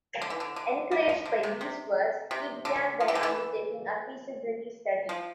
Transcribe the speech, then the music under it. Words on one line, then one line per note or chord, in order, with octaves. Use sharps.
Encouraged by these words, he began by undertaking a feasibility study.
D3
E3
D3
D3
G3
F3
D3
C3
C3
C3
D3
F3
E3
D3
E3
F3